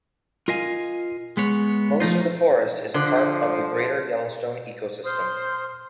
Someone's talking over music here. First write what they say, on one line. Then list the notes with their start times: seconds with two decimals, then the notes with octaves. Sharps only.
Most of the forest is a part of the Greater Yellowstone Ecosystem.
0.48 F4 A#4 D#5 F5 G#5
1.37 G#3 B3 C#5
2.00 F3 A3 D#4 F4
2.94 D3 F3
5.05 C5 C6 D#6 F6